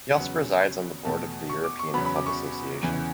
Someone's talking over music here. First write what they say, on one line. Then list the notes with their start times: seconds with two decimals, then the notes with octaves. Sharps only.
He also presides on the board of the European Club Association.
0.16 E2 C#3 F#3 B3 F#5
1.05 E2 B2 A3 A5
1.49 C#6
1.64 D6
1.79 C#6
1.94 E2 C#3 F#3 B3 B5
2.05 B5
2.16 D6
2.26 C#6
2.83 E2 C#3 E3